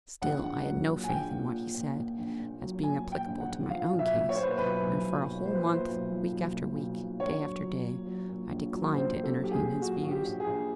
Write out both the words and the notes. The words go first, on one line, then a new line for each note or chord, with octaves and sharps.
Still, I had no faith in what he said, as being applicable to my own case; and for a whole month, week after week, day after day, I declined to entertain his views.
A#1 F#5
A#1
F#3
A#2
G#5
A#1 G5
A#2
A#2
A#2
A#2
A#1
A#2
F#3
A#2 G#5
A#2
G5
A#1
F#5
A#1
F3 F5
B1
E5
A#2
C#5
A#2 C5
B4
C5
B1 B4
B1
F3
B1
A#2 C5
B4
A#2 C5
B1
F3
B1
A#2
B1
F3
A#1 C#5
F#3
F#3
A#2
F#3
A#2
A#1
F#3
A#1 C5
A#1
A4
F#3
G4
G#4
A#2
F#3 F#4
A#1 F#4
G4
A#1
G#4
A#1